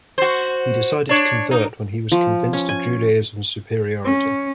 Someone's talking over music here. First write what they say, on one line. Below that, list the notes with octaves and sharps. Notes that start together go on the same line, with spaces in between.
He decided to convert when he was convinced of Judaism's superiority.
F#4 C5
D4 C#5
D#4
F3
C#4
G#5
C#4